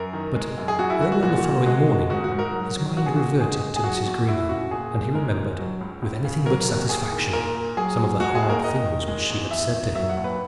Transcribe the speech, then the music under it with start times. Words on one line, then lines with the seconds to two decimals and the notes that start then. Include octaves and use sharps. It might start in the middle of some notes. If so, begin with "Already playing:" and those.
But early on the following morning his mind reverted to Mrs. Greenow, and he remembered, with anything but satisfaction, some of the hard things which she had said to him.
Already playing: F#2 A#4
0.13 D#3
0.36 G#3
0.58 F#2
0.68 G#4
0.79 F#2 F#4
0.90 E4
1.01 E3 F#4
1.12 F#4
1.23 A#2 F#4
1.44 A#2
1.66 G#3 F#4
1.88 G#3
2.10 G#2 F#4
2.24 F#4
2.32 G#2
2.39 A#4
2.53 F#3
2.75 F#3
2.97 A#2 F#4
3.06 G#4
3.16 A#2 F#4
3.40 G#3 G#4
3.63 G#3
3.76 G#4
3.84 F#3 F#4
4.06 E2
4.28 E2 E4
4.49 C#3 F#4
4.71 A#2 G#4
4.93 A#2
5.15 G#3 A#4
5.37 G#3
5.59 F#3
5.81 C#2
6.02 C#2
6.25 C#3
6.45 F#3 A#4
6.68 D#2
6.89 D#2 G#4
7.12 D#3
7.33 A#2 A#4
7.55 A#2
7.77 F#3 G#4
7.99 F#3
8.20 G#3 F#4
8.35 G#4
8.42 D#2
8.49 A#4
8.64 D#2 D#5
8.86 D#3
9.08 G#3
9.30 E2
9.51 E2 E5
9.73 D#3
9.95 F#3 E5
10.09 F#5
10.17 D#2
10.24 B4